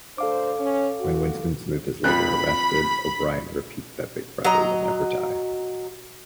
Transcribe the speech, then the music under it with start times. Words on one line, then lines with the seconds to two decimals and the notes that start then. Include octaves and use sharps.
When Winston Smith is later arrested, O'Brien repeats that Big Brother will never die.
0.18 D2 D4 A4 C5 F5 D6
0.60 C#4
1.00 F#4
2.04 F2 B5 F#6
4.44 F#3 D#5 A#5